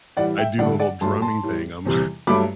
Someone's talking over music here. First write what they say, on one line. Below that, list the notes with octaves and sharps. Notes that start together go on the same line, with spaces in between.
I do the little drumming thing on my
A2 E3 G3 D5 F#5
E5 G5
G2 D3 A3 D5 F#5
D5 F#5
G2 F#3 A3 A5 C6
A5 C6
A2 G3
E2 C3 G3
G2 F#3 A3 B5 D6